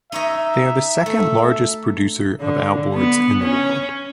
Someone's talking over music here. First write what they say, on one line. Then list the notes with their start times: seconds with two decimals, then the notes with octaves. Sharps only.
They are the second largest producer of outboards in the world.
0.12 D#4 C#5 D#5 E5
1.06 A3
2.40 D3
2.94 B3
3.44 C#4